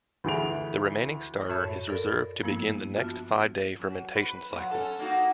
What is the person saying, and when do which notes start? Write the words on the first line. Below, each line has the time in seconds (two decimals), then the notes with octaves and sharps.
The remaining starter is reserved to begin the next five-day fermentation cycle.
0.24 D2 E3 G#4 D7 F7
1.49 F#2 A2 C#5 E5 A5 B5
1.89 A4 A#4 D5 B5
2.43 G2 F3 G#3 A#3 B3 E4
2.96 B3 D4 F4 F#4 E5 A5
3.79 F#2
4.15 B4
4.51 A#2 F#3
4.71 C#4 A4
4.99 A#3 D#4 F#4